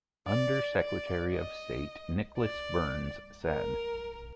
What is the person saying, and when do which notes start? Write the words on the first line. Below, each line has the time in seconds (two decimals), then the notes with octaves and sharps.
Undersecretary of State Nicholas Burns said.
0.27 D5
0.80 D5
1.33 D#5
2.39 D5
3.45 A#4